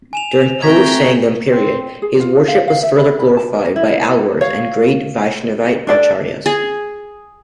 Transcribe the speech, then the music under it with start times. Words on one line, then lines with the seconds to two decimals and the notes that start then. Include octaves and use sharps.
During post-Sangam period, his worship was further glorified by Alwars and great Vaishnavite acharyas.
0.13 G#5 E7 F7
0.62 A3 C4 F#4 G5 A#5 G#6 B6
1.51 C4
2.02 G#4
2.20 F4
2.48 F5
2.68 F5
2.83 E5
2.97 B4
3.20 B4
3.37 A5
3.52 A#4
3.76 E4
4.41 C#5 F5
5.87 D4 A4 D5
6.46 G#4